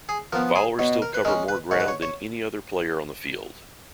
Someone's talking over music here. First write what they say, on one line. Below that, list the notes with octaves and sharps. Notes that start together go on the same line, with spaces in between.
Followers still cover more ground than any other player on the field.
G#4
F3 B3 A#4
G#4
B2 C#5
A#4
B4
G#3 C#4 A#4
B4
G#2 C#5
B4
C#5
C#5